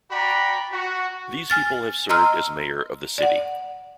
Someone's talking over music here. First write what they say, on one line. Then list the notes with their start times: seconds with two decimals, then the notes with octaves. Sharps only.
These people have served as mayor of the city.
0.11 F#4 D5 G5 A#5 B5
0.73 F#4
1.50 G#5 F6 A6
2.09 D#5 A#5 C6 E6 F6
3.18 D5 F#5